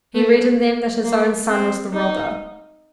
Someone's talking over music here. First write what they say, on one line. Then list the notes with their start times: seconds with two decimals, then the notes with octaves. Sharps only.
He read in them that his own son was the robber.
0.15 A3
1.04 A#3
1.49 C4
1.94 D#4